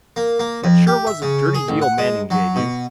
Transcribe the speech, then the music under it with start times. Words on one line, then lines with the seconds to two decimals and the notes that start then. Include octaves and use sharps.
"That sure was a dirty deal Manning gave you."
0.16 A#3
0.39 A#3
0.64 F2
0.87 G4
1.07 E5
1.22 C#3
1.55 G#4
1.68 A1
1.82 F#5
1.98 G#3
2.30 F#3
2.56 B2